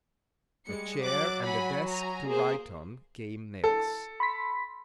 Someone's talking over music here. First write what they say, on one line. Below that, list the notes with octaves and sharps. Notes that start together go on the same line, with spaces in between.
A chair, and a desk to write on, came next.
G3 G#3 C#7
F#3 D6 F#6 A6
F#5 G#5 B5
G#5 A#5
A#3 G#4 C5
A4
B5 C6 B6